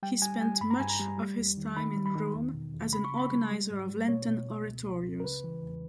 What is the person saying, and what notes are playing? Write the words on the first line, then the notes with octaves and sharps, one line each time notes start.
He spent much of his time in Rome as an organiser of Lenten oratorios.
G3 G5
G3 G#5
G3 G#5
G2 B5
A#5
G2 G#5
A#5
G3
G3
E2
D#3
D#3 B5
G3
B5
D#3
E2
B2
E2
C#3 B5
C#6
C#3
B5
G3
G3
G#2
G3
B2 C#5
B2
B2
C#2
C#2
C#2
A#4
C#3 B4
E3
E2